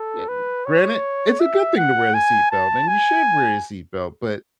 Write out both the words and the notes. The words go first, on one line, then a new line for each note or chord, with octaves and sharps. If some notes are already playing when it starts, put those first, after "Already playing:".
yeah, granted, it's a good thing to wear the seat belt, and you should wear your seat belt, but
Already playing: A4
B4
C#5
E5
F#5
G#5
A5
G#5